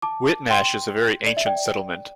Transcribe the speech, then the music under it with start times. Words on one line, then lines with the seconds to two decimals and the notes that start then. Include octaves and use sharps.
Whitnash is a very ancient settlement.
0.02 A5 D6
0.50 G5 C6
1.26 D5
1.37 E5
1.46 D5 G5